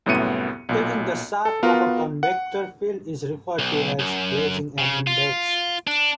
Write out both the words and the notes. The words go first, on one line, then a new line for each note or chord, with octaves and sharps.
Taking the sharp of a covector field is referred to as "raising an index".
C2 F#2 A2 B3 C#7 D#7
B1 A#2
A4
B3 F4 F#4 A#4
F#5
B1
F#2
C#3
F4
D4